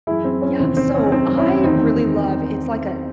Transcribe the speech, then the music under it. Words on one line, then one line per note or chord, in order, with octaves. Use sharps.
Yeah, so, I really love it's like a
F#2 E3 E4 G#4
C4
C#4
E2 C3 D#3 C4
C4
C#4
F#2 D#3 C4 D#4
C#4 E4
E2 D#3 C4 D#4